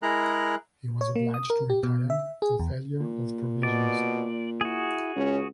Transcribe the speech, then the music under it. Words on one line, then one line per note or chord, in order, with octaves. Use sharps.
He was obliged to retire through failure of provisions.
G#3 E4 G#4 A#4 A#5 F#6
C#5
A#3
D#6
A#4
G4
B2
E5
G#4
E2
A#2
B2 D5
E4 F#4 G#4
C#2 C#4